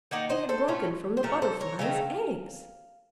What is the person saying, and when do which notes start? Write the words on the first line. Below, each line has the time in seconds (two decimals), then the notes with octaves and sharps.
They had broken from the Butterfly's eggs!
0.11 D#3 A#3 D#4 D#5 F#5
0.30 C5 D#5
0.49 A4 C5
0.68 A2 A3 C#4 F4
1.17 C5
1.23 A#2 F3 A3 F#4 A#4
1.42 A4 C5
1.61 A#4 C#5
1.79 C#3 A3 C4 D#4 F5